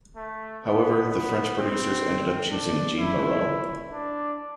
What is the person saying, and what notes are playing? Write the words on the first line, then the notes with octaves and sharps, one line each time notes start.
However, the French producers ended up choosing Jeanne Moreau.
A3
B3
B3
C4
D4
E4
D4